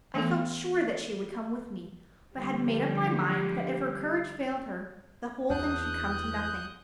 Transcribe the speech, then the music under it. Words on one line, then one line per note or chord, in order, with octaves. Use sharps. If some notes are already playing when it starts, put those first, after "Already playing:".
I felt sure that she would come with me, but had made up my mind that if her courage failed her, the whole thing should come to nothing.
E3 A3 B3 A4
D3 F3 G3
E2 D4 F#5 D#6 F#6 G6